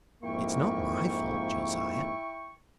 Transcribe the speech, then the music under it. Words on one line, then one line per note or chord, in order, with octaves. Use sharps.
It’s not my fault, Josiah.
F2 G#2 A#3 E4 G5 C#6